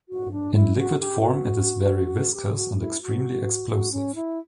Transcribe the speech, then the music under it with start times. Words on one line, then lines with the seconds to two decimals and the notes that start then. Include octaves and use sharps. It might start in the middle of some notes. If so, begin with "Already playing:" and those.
In liquid form it is very viscous and extremely explosive.
0.09 F#4
0.32 D4
0.54 E4
0.77 F#4
0.99 G4
1.21 F#4
2.34 G4
2.56 F#4
2.74 D4
2.79 E4
3.02 F#4
3.70 F#4
3.92 C#4
4.15 E4